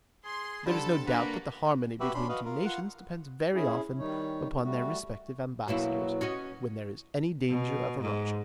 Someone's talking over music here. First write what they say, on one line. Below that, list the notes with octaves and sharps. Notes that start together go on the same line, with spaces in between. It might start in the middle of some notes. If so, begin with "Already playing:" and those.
There is no doubt that the harmony between two nations depends very often upon their respective ambassadors, when there is any danger of a rupture.
G#4 C6
D3 G3 A4 C5 A5 B5
A#3 D4 F#4 B4
F#4 G4 B4 E5
C#4 D4 B5 C6
F#4 B4 D#5 F5
F4 A#4
F4 F#5
C#4 E4 G#4
D#3 G3 D#4 C#5
C3
G3 A3 F#4
B2 F#3 A#3 E4
C#4 F#4 D#5
B2
G#2